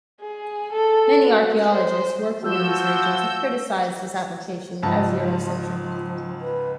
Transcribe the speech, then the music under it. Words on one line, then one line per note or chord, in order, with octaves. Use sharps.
Many archaeologists working in these regions have criticized this application as eurocentric.
G#4
A4
F#4
C5
F3 F#4 E6 G6
C#2 G#2 F3 A5
B4